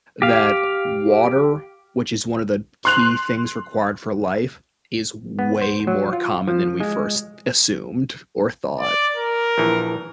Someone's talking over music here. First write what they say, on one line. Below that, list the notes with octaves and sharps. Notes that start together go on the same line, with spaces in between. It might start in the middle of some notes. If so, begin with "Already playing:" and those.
that water- which is one of the key things required for life- is way more common than we first assumed or thought.
G4 F5
C6 F#6 F7
B3
C5
F#3
F4
F3
G#3
D5
A#4
A#1 A#2 E3